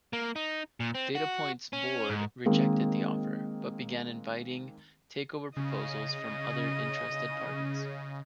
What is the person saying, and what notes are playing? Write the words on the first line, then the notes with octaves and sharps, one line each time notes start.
Datapoint's board rejected the offer but began inviting takeover proposals from other interested parties.
A#3
D#4
A#2
C4
F#4
C#4
G#2
D#3 G#3 A#3 C4
C#3 D#5